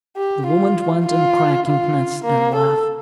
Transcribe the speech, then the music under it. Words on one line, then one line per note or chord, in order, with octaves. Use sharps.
The woman went on cracking nuts and laughing.
G4
F4
F4
F4
A#3
A4